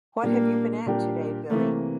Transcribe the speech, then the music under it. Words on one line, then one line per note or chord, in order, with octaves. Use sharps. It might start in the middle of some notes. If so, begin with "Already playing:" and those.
What have you been at today, Billy?
A#2 G3 A#3 D4 G4 A#4
A#2 G3 D4 G4 A#4
C3 E3 A3 A#3